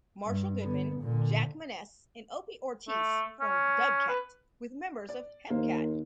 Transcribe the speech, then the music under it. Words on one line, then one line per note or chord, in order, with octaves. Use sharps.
Marshall Goodman, Jack Maness and Opie Ortiz formed Dubcat, with members of Hepcat.
G2
D3 B3
A#2 D3
A3
C#4
B4
D5
D#2 A#3 C5